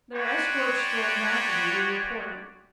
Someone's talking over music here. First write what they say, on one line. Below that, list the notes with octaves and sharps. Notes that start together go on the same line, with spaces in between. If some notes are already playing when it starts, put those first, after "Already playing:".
Their escort strolled back again, and reported.
G#3 F#4 B4 C#5 D5 G5